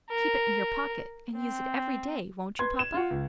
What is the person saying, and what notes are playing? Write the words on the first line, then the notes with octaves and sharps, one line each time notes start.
"Keep it in your pocket, and use it every day, won't you, papa?"
A#4
C4
B4 C6 G#6
E7
F4 F#5
C#2